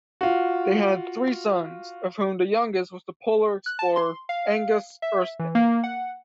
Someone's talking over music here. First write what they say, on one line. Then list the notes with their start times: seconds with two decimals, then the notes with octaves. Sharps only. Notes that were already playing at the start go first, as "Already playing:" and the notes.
They had three sons, of whom the youngest was the polar explorer Angus Erskine.
0.21 F4 F#4
3.66 F#6
3.79 A5
3.96 C6
4.29 F5
5.02 E5
5.39 E3
5.55 A#3
5.84 F#5